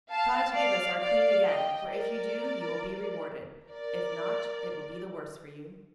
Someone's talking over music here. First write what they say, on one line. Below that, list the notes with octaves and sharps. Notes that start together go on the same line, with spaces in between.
Try to give us our Queen again, for if you do you will be rewarded; if not, it will be the worse for you.'
F5 A5
D5 F5
D5 F5
D#5 G5
A#4 D5
A#4 D5